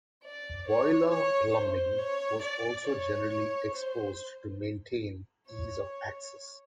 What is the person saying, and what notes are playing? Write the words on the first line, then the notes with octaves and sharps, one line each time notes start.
Boiler 'plumbing' was also generally exposed to maintain ease of access.
D5
C#5
C#5
C5
C#5
D5
C#5
C5
C#5